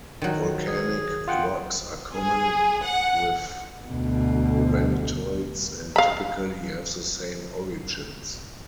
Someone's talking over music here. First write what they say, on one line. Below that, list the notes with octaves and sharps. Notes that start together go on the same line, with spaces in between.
Volcanic rocks are common with granitoids and typically have the same origins.
D#3 F#3
G#4
F4 F#5 G5
G#4
F#5
D2 B2
F5 B5